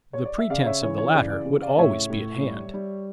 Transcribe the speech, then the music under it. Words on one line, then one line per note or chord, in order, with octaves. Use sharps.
The pretense of the latter would always be at hand.
C#5
D5
E5
C#3 D5 F5
C#5 E5
E3 C#5
C#5
C#3 D5
D5
C#3
D5 F5
A2 C#5 E5
A2
G3
G3